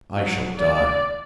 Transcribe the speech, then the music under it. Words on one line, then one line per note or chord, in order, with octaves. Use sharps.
I shall die!
F#3
D5